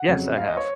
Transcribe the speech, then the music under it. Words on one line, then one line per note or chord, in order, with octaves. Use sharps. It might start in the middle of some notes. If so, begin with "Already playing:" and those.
Yes, I have.
Already playing: F#5
F2 C#3 F#3
F5
D#5
C#5